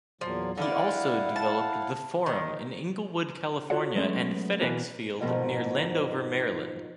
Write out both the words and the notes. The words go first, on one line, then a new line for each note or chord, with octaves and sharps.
He also developed The Forum in Inglewood, California and FedExField near Landover, Maryland.
E2 A#2 F3 F#3
D3 E4 D5 F5 F#5
A5
D#3
F4 F#4 A4 C#5 D5 F#5
F#3 G#3 A3 B3 C#4
B2 E3 B3 F#4 A#4 B4
F2 G#2 B2 D#3 F3